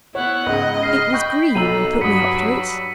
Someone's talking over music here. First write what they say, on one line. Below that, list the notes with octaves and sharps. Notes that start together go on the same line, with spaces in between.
It was Green who put me up to it.
B3 E4 C#5 F#5
C#2 G#2 D#5
F6 C7
G5 B5 C#6 G6
B1 A4 A#5 E6 D#7 F#7
G2 F#3 B5 D#6 B6 C#7